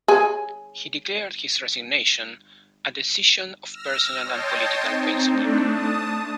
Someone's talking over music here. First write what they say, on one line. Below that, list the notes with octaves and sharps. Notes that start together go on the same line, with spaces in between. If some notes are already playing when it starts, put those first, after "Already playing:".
He declared his resignation a "decision of personal and political principle".
G#4 C#5 G#5
E6 F6 A#6
C#5 D#5 G5 A5 C6
C4 D#4
A3 D4
A5 D#6